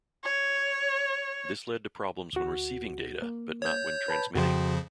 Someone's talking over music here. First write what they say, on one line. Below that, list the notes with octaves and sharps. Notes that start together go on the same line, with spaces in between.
This led to problems when receiving data, but not when transmitting.
C#5
D2 F#4
A#3
C#5 G6
B4 A5 B5
F2 C#3 F3 F#4 G5 C6